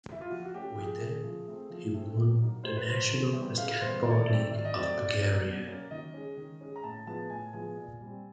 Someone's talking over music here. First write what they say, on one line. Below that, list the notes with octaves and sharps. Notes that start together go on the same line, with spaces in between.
With them he won the National Basketball League of Bulgaria.
E4
F4
F3 F#4
F#4
A3 C#4 G4
F3 G#4
A3 C#4
F3
A3 C4
F3
A3 C4
A2
F#3 A#3 D#4
A2 C5
B4
F#3 A#3 D#4 C5
C#3
E3 G3 B3
C#3 F5
E3 G3 B3 C5
D#3 D5
C#5
D5
F#3 A3 C4
D#3 D5
D#5
F#3 A3 C4 D5
B2 D5
F#3 A#3 C#4
B2
F#3 A#3 C#4
D#3 D#5
G#3 C#4
D#3
G#3 C#4
A#5
A2 A5
F3 G#3 B3 A5
A2 G#5
F3 G#3 B3 G#5
A#2
G3 C4